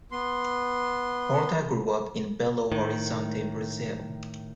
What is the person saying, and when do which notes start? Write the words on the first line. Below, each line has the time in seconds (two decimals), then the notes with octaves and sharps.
Horta grew up in Belo Horizonte, Brazil.
0.12 B3 C6
2.72 A2 D#3